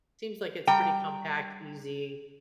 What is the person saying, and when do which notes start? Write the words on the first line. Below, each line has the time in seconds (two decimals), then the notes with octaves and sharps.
seems like it's pretty compact, easy,
0.67 G3 G5 A#5